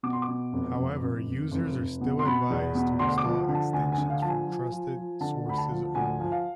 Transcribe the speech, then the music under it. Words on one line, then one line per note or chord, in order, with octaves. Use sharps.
However, users are still advised to install extensions from trusted sources only.
B2 D6
C6
D6
B2
F1
F1
F1
F1
F1
F1
B2
C6
B2 B5
E2
B2
D2 C6
D6
F3
D3
A5
D2 G#5
G#5
D3
F5
F3 A5
G#5
F3
F3
F3
D3 A5
D2 B5
A5
F3
D2 G#5
F3
F5